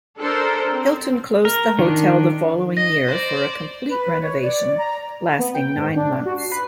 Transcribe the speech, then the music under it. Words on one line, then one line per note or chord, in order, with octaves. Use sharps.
Hilton closed the hotel the following year for a complete renovation, lasting nine months.
D4 A4 A#4 C5
C4
A#4
D#3 D4
D#5 A#6
C5 D5
B4
C#5
D5
A#5
B3
G5
G#2
D4
F#4
C7
B4